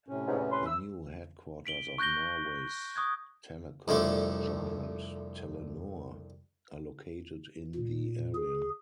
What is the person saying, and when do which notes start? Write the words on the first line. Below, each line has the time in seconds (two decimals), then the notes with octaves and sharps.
The new headquarters of Norway's telecom giant Telenor are located in the area.
0.08 A2 C3 C#4
0.27 G#2 B2 D#4
0.39 E2
0.52 B4 C6
0.66 E6
1.66 B6 D7 F#7 G7
1.98 C#6 F#6 G6 A#6 G7
2.96 C#6 D#6 F#6 G#6
3.88 C2 F2 D3 A3
7.75 A#2
8.34 G#4